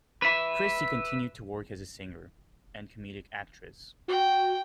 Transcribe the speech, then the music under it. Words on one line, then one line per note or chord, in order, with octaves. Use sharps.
Christie continued to work as a singer and comedic actress.
B4 E5
F#4 G5